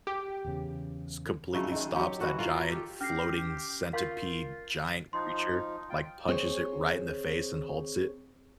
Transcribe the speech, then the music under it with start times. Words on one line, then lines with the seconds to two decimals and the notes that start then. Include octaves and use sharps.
s completely stops that giant, floating centipede giant creature, like punches it right in the face and halts it.
0.07 G4
0.45 E2 C#3
1.54 C#3 F#3 G#3 A3
1.72 D#3 G#3
1.95 F#3 G4
2.19 E3 F#4 A4
2.39 F4 F#4 A#4
2.69 G4 A4
3.01 C#4 G4 F6 A#6 C7
3.93 F4 A#4 F5 C6 C#6 G6
5.13 F3 D#4 C6
5.90 F4 G5
6.29 C4 G#4 C5 C#5